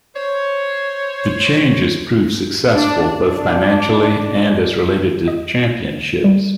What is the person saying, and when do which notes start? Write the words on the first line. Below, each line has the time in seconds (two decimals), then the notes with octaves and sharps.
The change has proved successful, both financially and as related to championships.
0.15 C5 C#5
2.74 D4
3.07 D4
5.28 D#5
6.24 G3